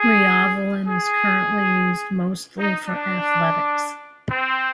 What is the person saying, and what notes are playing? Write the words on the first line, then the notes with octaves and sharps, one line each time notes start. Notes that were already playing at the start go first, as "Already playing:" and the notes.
Ryavallen is currently used mostly for athletics.
Already playing: G#4
G#4
D#4
D4
C4